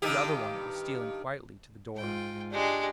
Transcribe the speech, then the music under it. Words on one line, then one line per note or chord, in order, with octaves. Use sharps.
The other one was stealing quietly to the door.
G2 D#3 G4
G#2 F4 G5
G#3 D4 G4